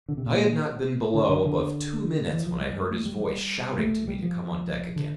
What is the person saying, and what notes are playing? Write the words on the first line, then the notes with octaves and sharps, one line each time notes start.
I had not been below above two minutes when I heard his voice shouting to me to come on deck again.
D3
C3
A#2
D3
D3
D3
E3
F3
G3
G3
A3
G3
G3
A3
G3
F3
D3